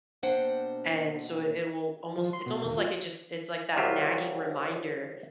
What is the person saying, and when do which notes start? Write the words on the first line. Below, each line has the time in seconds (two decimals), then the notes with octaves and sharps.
and so it it will almost it's almost like it just it's like that nagging reminder
0.23 B2 A#3 D4 C5 F#5 G5
2.18 F3
2.33 C6
2.46 B2
2.64 D#2
2.77 F4
3.76 C2 F#3 F4 G4 E5